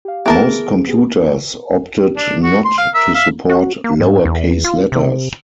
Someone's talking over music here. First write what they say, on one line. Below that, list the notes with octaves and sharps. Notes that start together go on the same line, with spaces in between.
Most computers opted not to support lower-case letters.
G4 F5
E3 B3 G#4 A#4 A5 D7
B3 G4 G#4
D4
F#4
C6
F5
A#4 E5
E5 F5
F#4
A#3
G#2
E2
F4
C3